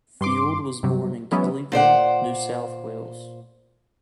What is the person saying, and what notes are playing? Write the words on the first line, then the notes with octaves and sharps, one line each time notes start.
Field was born in Kellyville, New South Wales.
G2 C6 D6
G2 C3 F#3
E3 F#3 G#3 B3 C#4 E4
A#2 C5 D5 F#5